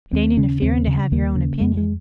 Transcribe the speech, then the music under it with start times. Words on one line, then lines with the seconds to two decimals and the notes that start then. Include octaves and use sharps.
It ain't interfering to have your own opinion.
0.13 D#2 C4
0.37 C#3 C#4
0.62 D#2 C4
0.87 C#3
1.12 D#2 A#3
1.36 C#3
1.60 F2 G#3
1.77 G#3